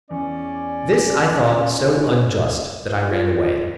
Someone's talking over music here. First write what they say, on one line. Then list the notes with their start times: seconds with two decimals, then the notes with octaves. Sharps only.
This I thought so unjust that I ran away.
0.11 E2 C#4 D5
3.00 F4